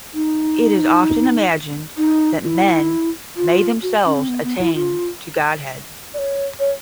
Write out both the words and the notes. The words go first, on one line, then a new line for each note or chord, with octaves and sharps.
It is often imagined that men may themselves attain to godhead.
D#4
D#4
F4
E4
F4
F#4
C#4
C4
B3
B3
E4
F4
D5
C#5
C#5